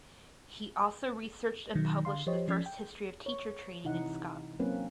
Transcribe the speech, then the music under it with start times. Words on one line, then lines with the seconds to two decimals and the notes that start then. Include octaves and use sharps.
He also researched and published the first history of teacher training in Scotland.
1.75 B2 D#3 F#3
2.05 D3 F5 C6
2.26 F3 G4 C5 C#5 D#5
2.48 F3 C#4 D5 G#6 A6 B6
2.66 G5
3.26 C#5
3.84 C3 E3 D#4 E4 F#5
4.59 F#3 A#3 C4 C#4 B4